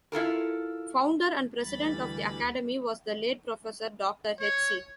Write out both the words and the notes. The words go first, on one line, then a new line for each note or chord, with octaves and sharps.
Founder and president of the Academy was the late Professor Doctor hc.
E4 F4 A4 A#4
D2 E3 G3 B5 A6
C#5